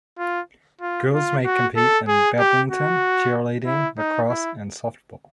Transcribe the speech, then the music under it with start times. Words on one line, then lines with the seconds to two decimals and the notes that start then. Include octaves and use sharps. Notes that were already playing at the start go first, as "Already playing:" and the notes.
Girls may compete in badminton, cheerleading, lacrosse and softball.
0.19 F4
0.81 F4
1.13 F4
1.45 F#4
1.76 A4
2.08 G#4
2.40 G4
2.71 F#4
3.66 E4
3.98 D#4
4.29 E4